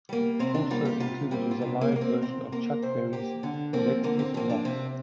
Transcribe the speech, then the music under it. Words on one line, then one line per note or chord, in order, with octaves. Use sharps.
Also included was a live version of Chuck Berry's "Let It Rock".
G3 A#3
C3 C4
D4
G3 A#3 F4
G4
C3 F4
G3 A#3 C4
F4
C3 D4
A#3
G3
A#3
C4
C3 C4
A#3 A#4
C3 C5
A#3 G4
D3 D4
F3 A#3 C4
D3 A#3
C4
F3 A#3 C4
D4
C3 C4